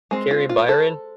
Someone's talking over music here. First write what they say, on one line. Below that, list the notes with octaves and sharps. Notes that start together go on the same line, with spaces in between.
Carrie Byron,
G#3 C4
F4
F4
A4